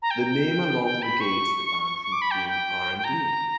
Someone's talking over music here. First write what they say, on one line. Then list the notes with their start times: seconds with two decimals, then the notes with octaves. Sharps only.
The name alone negates the band from being R and B.
0.02 A#5
0.11 G5
0.84 G5
1.02 B5
1.21 C#6
2.04 C#6
2.12 D6
2.22 B5
2.31 G5
2.49 G5
2.98 G5
3.04 A#5